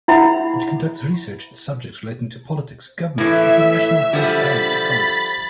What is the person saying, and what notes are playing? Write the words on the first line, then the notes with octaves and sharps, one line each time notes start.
It conducts research in subjects relating to politics, government, international affairs, and economics.
E4 E5 F#5 B5
A2 E3 E5
D3 F3 G3 B5 A6